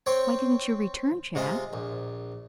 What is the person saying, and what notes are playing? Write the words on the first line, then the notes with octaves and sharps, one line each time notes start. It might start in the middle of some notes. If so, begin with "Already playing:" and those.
Why didn't you return, Jack?
C4 C5 C#5 G5
C3 G#3 F4
A#1